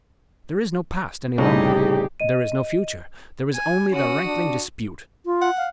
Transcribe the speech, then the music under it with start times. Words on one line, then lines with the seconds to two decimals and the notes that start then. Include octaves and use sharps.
There is no past any longer, there is no future, there is only the rankling dispute.
1.38 C2 A2 C#3 G3 D#4 G4 G#4
2.20 D#5 D#7
3.53 G#5
3.92 C#4 F#4 D#6
4.26 D4
5.26 F4
5.42 F#5
5.57 F5